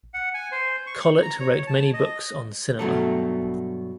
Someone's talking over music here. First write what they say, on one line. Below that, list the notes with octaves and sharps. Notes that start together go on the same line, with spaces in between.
Collet wrote many books on cinema.
F#5
G#5
C5
C#6
A#5
C#5
A5
D#5
G2 B2 F#3 A3